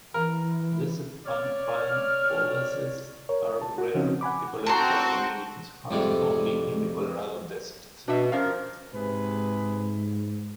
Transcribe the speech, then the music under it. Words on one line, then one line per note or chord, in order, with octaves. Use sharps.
Desert fan palm oases are rare ecological communities found only in the Colorado Desert.
E3 A#4
C#5 D5 F6
A#4 C#5
A5
F#4
C#3 F3 C4 C#4 D#4 F#4
F#5 G#5 B5 D6
C4 F#4 A5 A#5 C6
F2 G#2 C3 G3
B2 D4 F#4 E5
F3 C#4 A#4 F5
G#2 C3 G#4 B4